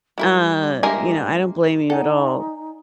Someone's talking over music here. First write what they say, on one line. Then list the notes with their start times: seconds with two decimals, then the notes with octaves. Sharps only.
uh you know, I don't blame you at all.
0.18 F#3 G3 E4 A#4
0.83 G#3 A#3 D4 G4 A#4 E5 G#5
1.90 D#4 A4 D5 F#5 G#5